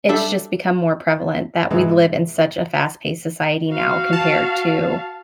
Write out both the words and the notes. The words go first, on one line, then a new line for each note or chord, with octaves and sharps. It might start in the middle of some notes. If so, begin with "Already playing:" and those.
it's just become more prevalent that we live in such a fast-paced society now compared to,
G3 D4 A4 E5
G#2 C3 E3 G#3
F#4 F5
A5